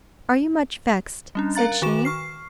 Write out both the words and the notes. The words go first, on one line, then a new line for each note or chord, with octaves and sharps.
'Are you much vexed?' said she.
G3 C#4 D4
A#4 F5 A#5 A6
D#3 F#4 C#6 E7
C#6 F6 C7